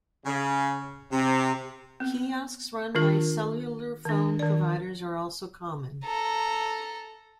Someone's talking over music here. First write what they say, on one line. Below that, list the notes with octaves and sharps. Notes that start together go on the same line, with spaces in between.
Kiosks run by cellular phone providers are also common.
C#3
C3
B3 C4
D#3 D4 F4 A#4
D#3 D4
D#3 D5
A4 A#5